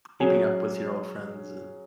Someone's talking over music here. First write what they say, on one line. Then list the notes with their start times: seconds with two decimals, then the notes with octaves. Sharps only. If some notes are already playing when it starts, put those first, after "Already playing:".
keeping up with your old friends and
0.20 F#3 C#4 G#4